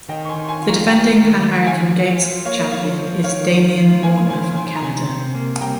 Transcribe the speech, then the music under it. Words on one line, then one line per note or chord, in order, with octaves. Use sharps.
The defending Pan American Games champion is Damian Warner from Canada.
D#3 D#5 G5
C#6
G#5 C6
D#3
G#5 C6
F4
A#5 C#6
A#3 G5 A#5
D#3
D#3
F3 F5 G#5
F3
F4
A#3 C#5 F5
F3 C#5 F5
F3
D#3 C#5 F5
D#3
F4
A#3 F5 G#5
D#3 G#5 C6
D#3 G#5 C6
A#5
C3 G#5 C6
C3
A#3
G3 G5 A#5